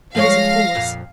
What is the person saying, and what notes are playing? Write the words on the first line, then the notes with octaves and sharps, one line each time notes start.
There was a pause.
F3 G#3 C#5 F5 A#6
F2 A#2